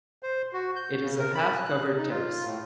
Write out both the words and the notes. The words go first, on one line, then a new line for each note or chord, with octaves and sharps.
It is a half covered terrace.
C5
F#4
G6
C#3
A#4
B5
F#6
D#4
F4
A2